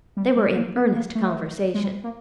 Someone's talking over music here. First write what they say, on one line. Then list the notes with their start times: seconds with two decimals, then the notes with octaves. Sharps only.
They were in earnest conversation.
0.17 G3
0.36 G#3
0.56 A#3
0.75 B3
0.95 A#3
1.15 A3
1.74 G#3
1.84 G3
2.04 A#3